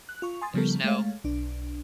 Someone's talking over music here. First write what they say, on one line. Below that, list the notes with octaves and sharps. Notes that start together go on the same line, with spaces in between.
There's no
F#6
F4 C#6
G#5 C6 D#6 A6
C#3 F3 G3 B3 A4 A#4
G#3 A3 C#5 F5
B1 D4